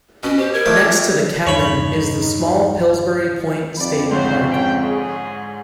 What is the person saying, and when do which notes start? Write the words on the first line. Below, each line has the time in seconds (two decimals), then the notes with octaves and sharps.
Next to the cabin is the small Pillsbury Point State Park.
0.23 B2 C#4
0.38 G4 C5
0.53 A#4 G#6
0.66 F2 C3 A3
0.85 F4
1.47 E2 G2 D#4 C#5 B5
3.76 F2 D5 B5
4.11 G#2 D3 D#4 C5 C#5
4.50 C#4 G5
4.83 G#4